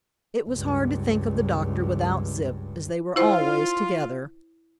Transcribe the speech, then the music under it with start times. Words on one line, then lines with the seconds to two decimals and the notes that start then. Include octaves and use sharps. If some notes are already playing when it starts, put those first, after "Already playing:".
It was hard to think of the doctor without Zip, as they were always together.
0.49 C#2 G2
3.16 E4 F4 C5